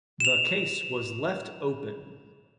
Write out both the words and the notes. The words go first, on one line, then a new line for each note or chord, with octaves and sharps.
The case was left open.
E7 F7